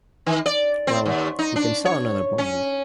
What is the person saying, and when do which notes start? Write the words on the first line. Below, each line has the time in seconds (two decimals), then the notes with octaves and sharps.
Well, we can sell another bond.
0.26 D#3
0.46 D5
0.87 C4
1.05 D#2
1.39 D#4
1.56 D4
1.85 C#5
2.38 C#4